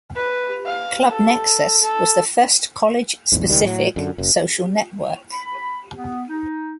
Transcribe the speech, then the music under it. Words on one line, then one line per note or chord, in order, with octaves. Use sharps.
Club Nexus was the first college-specific social network.
B4
F5
A4
A4
A#1 E2 G#2
C#2 D#3 G3
A2 F#3
F#2 D3
F#1 F#2
B5
B3
D#4